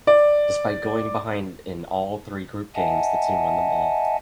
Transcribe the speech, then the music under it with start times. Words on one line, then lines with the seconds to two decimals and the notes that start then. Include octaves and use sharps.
Despite going behind in all three group games, the team won them all.
0.07 D5
2.75 D#5 E5 F#5 G#5 A5